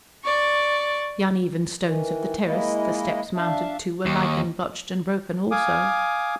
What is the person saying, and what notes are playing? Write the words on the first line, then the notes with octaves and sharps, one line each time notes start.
The uneven stones of the terrace the steps mounted to were lichen-blotched and broken also.
D5 C#6
D#3 E3
G#3 A#3 E4 D#5
D4 E5 F5 A5
D#2
F5 G#5 D6 D#6